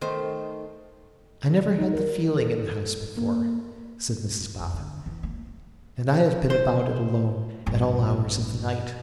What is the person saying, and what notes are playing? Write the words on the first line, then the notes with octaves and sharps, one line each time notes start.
'I never had the feeling in the house before,' said Mrs Boffin; 'and I have been about it alone at all hours of the night.
D#3 A3 C5
D#4
A#4
A4
A#3
F2
D3
E3
A#3
C5
A#1 G2